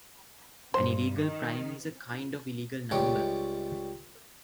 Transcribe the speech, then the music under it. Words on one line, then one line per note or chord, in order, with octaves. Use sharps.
An illegal prime is a kind of illegal number.
G2 C5
D#3
C#2 G3 C#5 D#5 G5